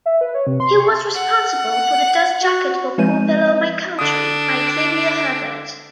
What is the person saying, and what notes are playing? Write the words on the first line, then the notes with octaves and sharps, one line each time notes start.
He was responsible for the dust-jacket for "Poor Fellow My Country" by Xavier Herbert.
E5
B4
C#5
C3
C6
C#6
F#5
F#4
F3 G#3 C4 B4 G6 D#7
D3 D4 D#6